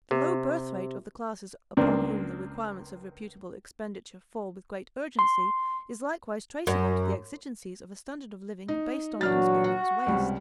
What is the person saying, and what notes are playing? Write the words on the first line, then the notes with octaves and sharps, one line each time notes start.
The low birthrate of the classes upon whom the requirements of reputable expenditure fall with great urgency is likewise traceable to the exigencies of a standard of living based on conspicuous waste.
C3
C#2 A#3 C4 D4
C6
F#2
D#4
A#2 E3 F#3 D4 F#4 F6 A6
F#5
C#2 C3 G3